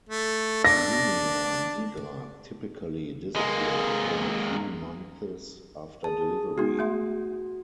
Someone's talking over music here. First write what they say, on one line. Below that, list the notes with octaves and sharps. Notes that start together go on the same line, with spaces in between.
Linea nigra typically disappears within a few months after delivery.
A3
D4 A#6
G#3 A#3
G#4 A5
G#3 B3 D#4 F#4
A3 E5 C6